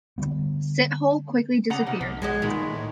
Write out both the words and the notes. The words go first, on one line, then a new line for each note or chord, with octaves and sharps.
Sithole quickly disappeared.
D3 F3 G3 B3
C#3 B3 F#5 A#5
C3 D#3
B1 F3
G#3 F#4 D#5
A#2 D#3 G#3 B3
A2